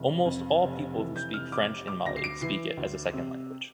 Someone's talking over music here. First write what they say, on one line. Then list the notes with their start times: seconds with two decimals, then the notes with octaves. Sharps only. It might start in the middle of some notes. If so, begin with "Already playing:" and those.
Almost all people who speak French in Mali speak it as a second language.
Already playing: F1 E3
0.26 F2
0.63 F1
0.98 E3
1.16 G6
1.34 F1 F6
1.52 D6
1.70 C3
1.88 D6
2.05 D2 A#6
2.16 C7
2.24 D7
2.41 E3 C7
2.77 D2
3.13 C3